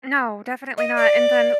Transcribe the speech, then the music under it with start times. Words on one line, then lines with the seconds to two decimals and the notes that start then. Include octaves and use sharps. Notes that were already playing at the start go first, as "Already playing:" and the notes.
No, definitely not. And then
0.78 D#5
0.96 D5